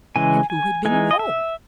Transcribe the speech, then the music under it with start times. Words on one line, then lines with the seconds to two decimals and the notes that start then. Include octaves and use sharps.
And who had been involved?
0.16 C#3 E3 G#3 G#5
0.50 G#5
0.85 E3 G#3 D#4 G#5
1.11 D#5
1.19 E5